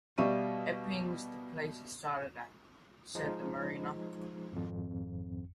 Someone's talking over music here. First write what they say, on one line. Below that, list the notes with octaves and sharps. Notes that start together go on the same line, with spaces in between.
"Epping's the place he started at," said the mariner.
B2 G3 E5 F5 C#6 D#7
F3 G#3 D#4
G#1 F2